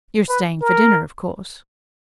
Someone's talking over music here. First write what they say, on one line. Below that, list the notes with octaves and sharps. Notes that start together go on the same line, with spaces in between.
"You're staying for dinner, of course?"
B4
A#4